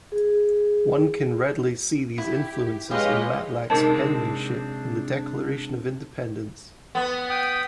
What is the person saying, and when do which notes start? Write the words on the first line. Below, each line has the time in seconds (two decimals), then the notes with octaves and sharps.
One can readily see these influences in Matlack's penmanship in the Declaration of Independence.
0.12 G#4
2.18 E4 G4
2.91 G#3 G4 B4 C#5 D#5 F5
3.70 C3 G#3 C4 D4 D#4 A#4 D#5 A5
6.95 B3
7.30 G5 D#6